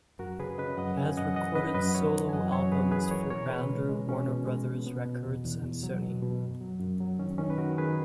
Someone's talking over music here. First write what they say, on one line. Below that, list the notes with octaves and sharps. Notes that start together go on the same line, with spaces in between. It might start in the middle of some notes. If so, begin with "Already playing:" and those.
He has recorded solo albums for Rounder, Warner Brothers Records, and Sony.
F#2 F#4 A#4
C#3 G#4 B4
C#3 B4 D#5
F#2 D#5 F#5
C#3 E5 G#5
F#2 D#5 F#5
E3 D#5 F#5
C#3 B4 D#5
F#2 B4 D#5
F#5
E3 C#5 E5
E3
G#5
F#2 D#5 F#5
F#2 C#5 E5
F#2 G#4 B4
E3 G#4 B4
E3 A#4 C#5
B2 A#4 C#5
B2 G#4 B4
G#3 C#4
G#3
B2 C#4
B2
G#3
B2
B2 B3
B2
E2
E2
E2
F#3
B2
B2
F#2
F#3
F#2
F#3
D#3 C#4
D#3 C#4
B4
D#3 F#4 A#4
D#3 G#4 B4